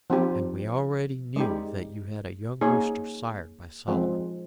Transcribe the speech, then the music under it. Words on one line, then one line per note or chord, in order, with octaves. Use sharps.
"And we already knew that you had a young rooster sired by Solomon."
F3 C4 D#4 G4
G#3 D#4 G4
A#3 D#4 G#4 C#5
F3 G#3 C4